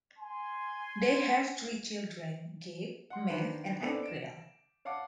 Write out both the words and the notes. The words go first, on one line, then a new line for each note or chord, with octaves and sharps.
They have three children: Gabe, Matt, and April.
G#5 C6
F#5 C6
D#3 D4 B4 C5
B3 D4 D#4 A4 C5 D5
D7 E7
C#5 F5 F#5 A5 D6